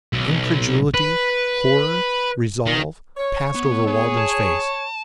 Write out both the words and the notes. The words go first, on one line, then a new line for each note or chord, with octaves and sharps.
Incredulity, horror, resolve, passed over Waldron's face.
B1
B4
D#3
C#5
B3
B3 G#4
A5